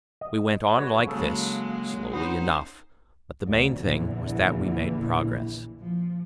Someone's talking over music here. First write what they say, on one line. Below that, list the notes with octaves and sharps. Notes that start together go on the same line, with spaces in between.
We went on like this, slowly enough, but the main thing was that we made progress.
D#5
F#4 B4 C#5
C#3 F#3 G#3 A#3 A4
B3 C#4 D#4 C5
D2
A#1 E2 D3 E3
F3